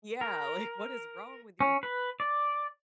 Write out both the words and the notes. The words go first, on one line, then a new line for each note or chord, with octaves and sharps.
Yeah, like, "What is wrong with you?"
A#4
C#4
B4
D5